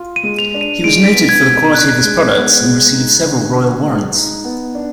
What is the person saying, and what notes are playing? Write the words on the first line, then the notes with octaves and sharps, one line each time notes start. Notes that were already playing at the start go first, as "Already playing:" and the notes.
He was noted for the quality of his products and received several royal warrants.
Already playing: F4
D#7
G#3
F7
D4
D#7
G#3 D7
B6
B3
G#6
B2
D4 F#6
G#3
B3
G#3
D#4
D3
F#4
G#3
D#4
B3
D4